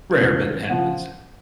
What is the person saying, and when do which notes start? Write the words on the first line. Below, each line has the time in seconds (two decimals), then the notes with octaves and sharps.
Rare, but it happens.
0.20 E2 C#3 F3
0.70 C#3 F3 F#5